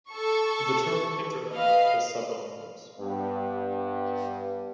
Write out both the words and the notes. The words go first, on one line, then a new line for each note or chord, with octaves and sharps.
The term "hinterland" has several meanings.
A4 C#6
B4 D#5 F5
G2 B3